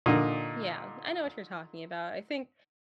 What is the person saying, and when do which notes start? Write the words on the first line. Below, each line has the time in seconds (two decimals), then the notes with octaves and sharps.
Yeah, I know what you're talking about, I think
0.06 A#2 D3 D#4